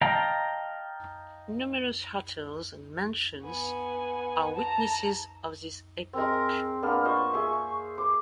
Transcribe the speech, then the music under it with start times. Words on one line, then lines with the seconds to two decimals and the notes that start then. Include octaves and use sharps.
Numerous hotels and mansions are witnesses of this epoch.
0.01 D#5 F5 G5 A5 A#5
3.44 B3 G#5
4.55 A5 A#5
6.13 G#3 C4 A#4
6.82 A#3 B3 D4 F6
7.05 F4 C5 D#5 C#6
7.33 G#4 E5
7.98 C5 D6